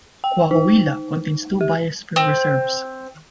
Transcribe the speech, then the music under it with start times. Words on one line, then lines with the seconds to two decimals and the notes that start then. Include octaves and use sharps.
Coahuila contains two biosphere reserves.
0.24 G5
0.51 D#4
1.61 G4
2.16 C4